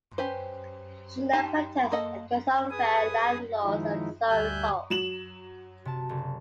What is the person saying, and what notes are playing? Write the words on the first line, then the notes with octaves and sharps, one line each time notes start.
She led protests against unfair landlords and saw results.
C#4 G4 B4 C5
D#4 G4 G#5 A5
A#3 A4 D#5 F#5
G#4 B4 G#5 D#6
D#3 F3 G#3 D#4 E4
D2 G3 E5 G#5 F#6 G6
F#3 E7 F#7
C3 A5
F#1